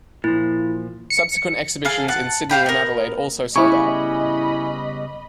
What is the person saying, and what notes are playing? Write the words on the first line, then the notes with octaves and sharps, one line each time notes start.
Subsequent exhibitions in Sydney and Adelaide also sold out.
A#2 F3 E4
C#7
G#4 A4 F5
F#5 A5
G4 F5 G5 B5
B3 A#4
C#3 G3 B3 E4 D#5 G#5 B5 C#6